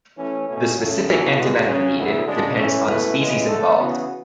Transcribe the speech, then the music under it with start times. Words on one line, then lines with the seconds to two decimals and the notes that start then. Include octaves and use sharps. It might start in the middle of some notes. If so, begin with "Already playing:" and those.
The specific antivenom needed depends on the species involved.
0.17 E3 A3 C#4
0.47 B2 A3 C#4
0.77 C#3 F#3 A3 C#4 F#4
1.07 E3 B3 D4 F#4 A4
1.37 E2 B2 G#3 B3 F#4
1.66 C#3 F#3 C#4
1.96 D2 D3 F#3 B3 E4
2.27 C#3 G#3 D4
2.56 E3 A3 C#4
2.87 C#2 B2 A3 E4 B4
3.16 C#3 E3 G#3 B3
3.46 D3 A3 D4 A4
3.76 C#3 E3 B3 F#4